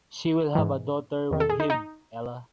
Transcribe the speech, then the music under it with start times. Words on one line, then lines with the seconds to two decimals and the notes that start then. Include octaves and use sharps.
She will have a daughter with him, Ella.
0.55 G#2 E3
1.31 E2 D#3
1.40 A4
1.50 G#4
1.60 D#4
1.70 D#4